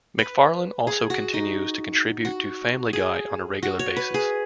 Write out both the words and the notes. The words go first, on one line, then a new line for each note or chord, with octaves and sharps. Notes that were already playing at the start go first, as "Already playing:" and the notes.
MacFarlane also continues to contribute to "Family Guy", on a regular basis.
B4
G#4
F#4
D#4
F#4
G#4
F#4
C#5
B4
G#4